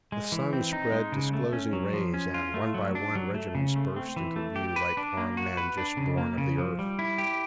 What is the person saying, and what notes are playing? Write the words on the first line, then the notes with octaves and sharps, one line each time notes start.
The sun spread disclosing rays, and, one by one, regiments burst into view like armed men just born of the earth.
G#3
E3
C4
D#4
G#3
C#3
A3
C#4
F#3
F3
C#4
F4
A3
F#3
D4
F#3
A3
C#3
A3
C4
E3
A3
G4
B4
D4
A#3
F#4
B4
D4
C#3
A#3
C#3
F3
G3
E4
G4